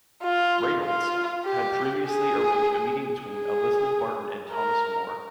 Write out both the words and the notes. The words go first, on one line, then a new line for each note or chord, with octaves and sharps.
Reynolds had previously arranged a meeting between Elizabeth Barton and Thomas More.
F4
F4
G4
G#4
G#4
A#4